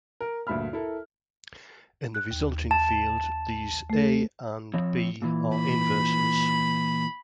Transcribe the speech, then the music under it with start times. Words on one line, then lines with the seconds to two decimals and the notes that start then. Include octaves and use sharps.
In the resulting field, these "a" and "b" are inverses.
0.20 A#4
0.47 D2 G2 A#2 E5 B5 F6
0.73 E4 A4 A#4
2.15 F#6
2.31 D#2
2.71 A5
3.90 A3 A4
4.74 F3 C4 C#5
5.22 A#2 E3
5.58 B5